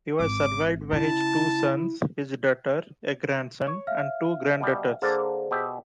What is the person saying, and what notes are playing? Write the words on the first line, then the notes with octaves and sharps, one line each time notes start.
He was survived by his two sons, his daughter, a grandson and two granddaughters.
G#1 D6
C#3 E4 A5
C#5
E5 F5 F6
B2 G3
D3 A#3 G#4 C5 A5
B2 G4 E5